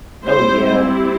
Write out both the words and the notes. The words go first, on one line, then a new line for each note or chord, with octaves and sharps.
Oh, yeah.
G3 C4 E4 C5